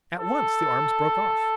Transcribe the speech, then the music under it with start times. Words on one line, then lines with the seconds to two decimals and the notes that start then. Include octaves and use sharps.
At once the arms broke off.
0.18 A4